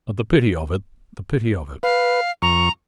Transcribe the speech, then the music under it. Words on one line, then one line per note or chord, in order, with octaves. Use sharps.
But the pity of it--the pity of it!
B4 F5
F2 A#5 C#6